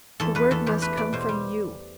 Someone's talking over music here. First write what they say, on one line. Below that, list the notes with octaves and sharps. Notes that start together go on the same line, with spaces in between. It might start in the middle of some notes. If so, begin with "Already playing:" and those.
The word must come from you.
E2 A4
E2 B4
E2 A4
E2 G4
A3 B4
E2 D5
B2 C5
G3